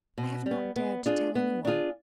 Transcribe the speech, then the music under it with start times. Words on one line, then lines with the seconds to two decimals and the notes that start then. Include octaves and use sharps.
I have not dared to tell anyone.
0.18 B2
0.46 G3
0.51 B3
0.76 B3
1.06 D4 F4 G#4
1.35 B3
1.65 D4 F4 G#4